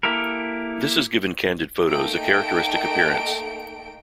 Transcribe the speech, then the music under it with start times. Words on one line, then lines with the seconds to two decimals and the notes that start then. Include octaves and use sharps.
This has given candid photos a characteristic appearance.
0.03 A#3 E4 G4 A4 A#4
1.89 A3 A#3 D#4 A4 G5 D7